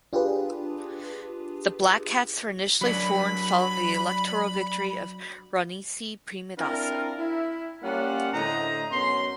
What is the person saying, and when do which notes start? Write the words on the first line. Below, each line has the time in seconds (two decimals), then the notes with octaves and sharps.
The Black Cats were initially formed following the electoral victory of Ranasinghe Premadasa.
0.13 D4 F4 G4 G#4 B4
2.81 F#3 D4 B5
6.59 C4 D4 E4 F4 A#4
7.19 E4
7.83 G3 A#3 C#4 F4 F#5
8.34 A2 D3 A3 C5 D#5 A#5
8.92 F#2 B3 C#4 C6